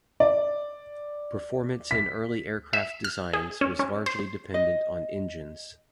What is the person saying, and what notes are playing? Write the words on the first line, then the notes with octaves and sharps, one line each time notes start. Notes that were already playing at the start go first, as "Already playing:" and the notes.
Performance in early aircraft designs was largely dependent on engines.
D5
B6
E5
F6
G#4
C#4
C#4
C5
D#5